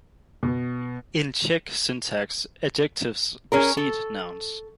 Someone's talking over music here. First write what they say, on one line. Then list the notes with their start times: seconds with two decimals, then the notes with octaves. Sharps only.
In Czech syntax, adjectives precede nouns.
0.43 B2
3.52 C#4 G#4 A#4
3.77 A4